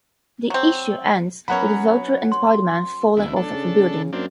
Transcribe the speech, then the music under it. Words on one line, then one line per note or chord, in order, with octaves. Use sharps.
The issue ends with the Vulture and Spider-Man falling off of a building.
F#3 C4
F#3 B3 C#4 C#5 F#5 B5
C6
E1 D2 E4
D4 A4
C#3
F#2 A#3 C4 D4